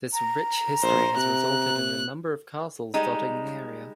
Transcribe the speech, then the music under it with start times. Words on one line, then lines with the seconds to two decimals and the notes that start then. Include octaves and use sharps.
This rich history has resulted in a number of castles dotting the area.
0.13 A#5
0.83 A#1 C5
1.17 C3 F#6
2.94 G3 G#3 D#4